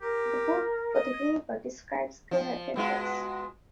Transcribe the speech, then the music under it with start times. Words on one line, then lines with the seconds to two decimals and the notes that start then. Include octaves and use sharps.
The book, "Fatu Hiva", describes their adventures.
0.02 G4 A#4
0.94 D#5
2.31 F3
2.76 B2 G#3 F4